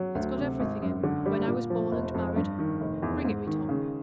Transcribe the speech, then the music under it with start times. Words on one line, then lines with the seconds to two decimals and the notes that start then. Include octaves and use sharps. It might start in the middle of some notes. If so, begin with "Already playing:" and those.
"It's got everything in,--when I was born and married; bring it me, Tom."
Already playing: F#3
0.15 D2
0.37 C3
0.60 G#1
0.82 F#2
1.03 D3
1.26 G3
1.48 A#2
1.70 F3
1.92 F1
2.14 F2
2.36 G2
2.58 D#3
2.81 F1
3.02 E2
3.25 G#2
3.47 D#3
3.69 C#3